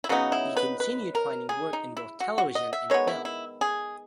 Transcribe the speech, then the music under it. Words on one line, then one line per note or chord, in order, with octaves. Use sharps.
He continued finding work in both television and film.
E4
C#3 F#3 B3 D#4 F#4
E4
B4
B4
A#4
G#4
D#4
E4
F#4
F#4
D#5
E5
D#3 G#3 B3 C#5
E4
E4
G#4